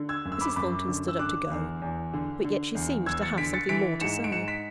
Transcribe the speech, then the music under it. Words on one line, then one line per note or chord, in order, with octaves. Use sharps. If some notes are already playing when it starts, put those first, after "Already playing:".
Mrs. Thornton stood up to go, but yet she seemed to have something more to say.
Already playing: D3
E6 G#6
F#2
E6
B5 D6
F#2 B5 D6
D3
E6
D3 D6 F#6
E2
E2
D3
D3
E2
E2 E6 G#6
A6 C#7
D3 B6 D7
A6 C#7
E3 B6 D7
G#2 C#7 E7
D7
G#2 C#7 E7
B6 D7